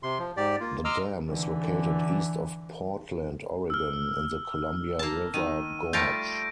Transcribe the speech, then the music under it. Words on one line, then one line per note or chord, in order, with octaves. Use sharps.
The dam is located east of Portland, Oregon, in the Columbia River Gorge.
C3 C6
F3
G#2 G4 D5
A#3 F4
D#5 A#5 C6 D6 E6 F6
D3 E3
E6 F6
A#3 A5
D#3 D#7
G3 A3 F4 G6 A#6 D7